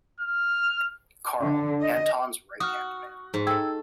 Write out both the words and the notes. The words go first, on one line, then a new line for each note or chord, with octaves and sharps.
Karl - Anton's right-hand man.
F6
D3
D#5
F#4 D#6 F6
G#2
A4 G5 E6 G#6